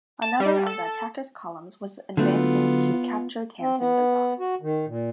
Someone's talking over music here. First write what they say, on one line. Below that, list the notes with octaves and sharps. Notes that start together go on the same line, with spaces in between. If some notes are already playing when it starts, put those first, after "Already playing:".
Another of the attackers' columns was advancing to capture Tansen Bazar.
A5
G3
A4
D3 F#3 A3 B3 F4
C4
B3
F#4
D#3
A#2